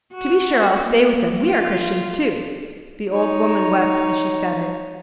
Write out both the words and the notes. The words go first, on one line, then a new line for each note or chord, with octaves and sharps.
"To be sure, I'll stay with them, we are Christians, too." The old woman wept as she said it.
F#4
A#3
F4
D#4 C#5